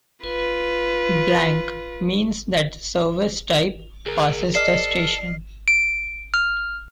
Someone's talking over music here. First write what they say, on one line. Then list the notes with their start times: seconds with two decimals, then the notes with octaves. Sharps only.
Blank means that the service type passes the station.
0.24 F4 B4
4.06 C#2 G#4 A#4
4.55 A4 D5 D#5 F6 C7
5.68 D7
6.34 F6